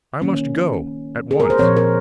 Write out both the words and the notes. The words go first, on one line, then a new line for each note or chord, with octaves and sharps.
I must go--at once.
D#3 A#3 C#4
G#4
A#4
C5
A#2 F3 C4 C#5
A#4